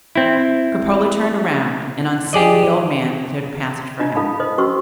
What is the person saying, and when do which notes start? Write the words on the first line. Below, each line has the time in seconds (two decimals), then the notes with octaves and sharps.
Cropole turned around, and, on seeing the old man, cleared a passage for him.
0.15 C4 E4
2.33 G4 G#4 D5 D#5
4.00 D4 F4 D#5 A#5
4.15 E4 A4 F5 A5 B5
4.40 A4 C5 D#5
4.58 C#4 F#4 C5 C6 C#6 E6